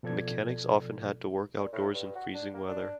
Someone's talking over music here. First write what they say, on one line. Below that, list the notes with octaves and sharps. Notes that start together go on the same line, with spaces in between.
The mechanics often had to work outdoors in freezing weather.
B2 F3 A4 D5 G#6
A#2
A2
G2
F#4
D4
A#3
D4